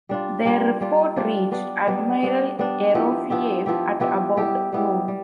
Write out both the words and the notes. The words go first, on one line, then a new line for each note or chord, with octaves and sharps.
Their report reached Admiral Yerofeyev at about noon.
G3 D4 F4
G3 D4 F4
G3 D4 F4
G3 D4 F4
G3 B3 D4
G3 B3 D4
G3 B3 D4
G3 B3 D4
F3 B3 E4 G4
F3 B3 E4 G4
F3 B3 E4 G4
F3 B3 E4 G4
G3 B3 E4 G4
G3 B3 E4 G4
G3